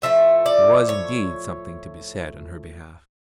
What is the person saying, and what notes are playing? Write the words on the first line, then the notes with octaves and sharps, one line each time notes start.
There was indeed something to be said on her behalf.
A2 F3 A3 E5
D5
C#5